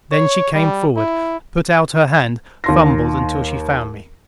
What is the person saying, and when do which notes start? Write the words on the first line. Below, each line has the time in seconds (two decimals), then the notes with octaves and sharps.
Then she came forward, put out her hand, fumbled until she found me.
0.12 C#5
0.54 G3
0.97 E4
2.64 D#2 C6 A#6